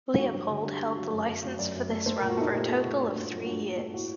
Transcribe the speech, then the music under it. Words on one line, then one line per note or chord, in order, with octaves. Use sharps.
Leopold held the licence for this run for a total of three years.
G2 F#4
F#3
D3
G2 G4
G2
F#3
F#2
A3
F#3
F#2 D5
F#2
A3
A3 C5
A#2 A#4
F#4
A3 D#4
A#2 G4
A3
A#2
G2 F#4
A3
F#3
G2 F#4
G2
A3
A2 F#4